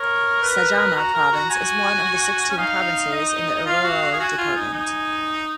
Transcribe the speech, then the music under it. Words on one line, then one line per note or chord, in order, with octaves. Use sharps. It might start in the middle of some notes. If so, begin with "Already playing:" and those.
"Sajama" province is one of the sixteen provinces in the Oruro Department.
Already playing: A#4 C#5
B4
F#4 A#5
A#4
F#4
F#4 G#5
C#4
D#4 F5
D#5
F4 F5
F#4
F#4
G#4
F#4 G#5
F4
D#4
D#4